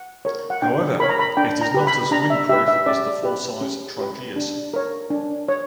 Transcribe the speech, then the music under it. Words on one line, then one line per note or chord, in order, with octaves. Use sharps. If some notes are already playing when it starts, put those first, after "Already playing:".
However, it is not as windproof as the full-size Trangias.
Already playing: F#5
A#4 C#5
F#5
D4 G5
A#4 C#5 B5
A#5
B5
D4 G5
A#5
G4 B4
B5
D4 A#5
E5
G4 B4 E5
E5
C#4 D5
G4 B4
C#4
G4 B4
D4
A#4 C#5
D4
C#5